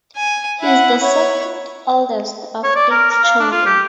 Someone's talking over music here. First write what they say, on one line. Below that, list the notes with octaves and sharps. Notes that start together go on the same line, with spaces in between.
He is the second oldest of eight children.
G#5
E4 F#5
E4 C#5
C#5
D5
A#4
A#4
F5
D4
F4
G4